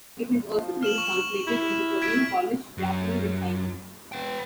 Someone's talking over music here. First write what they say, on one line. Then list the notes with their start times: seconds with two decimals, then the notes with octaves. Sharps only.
It has also been translated into Korean, Polish, Japanese, and Chinese.
0.47 F3
0.83 F6 E7 F#7
0.98 C#6 E7 F#7
1.47 E4
2.02 G#6 B6 D7
2.78 F#2
4.12 B3 G5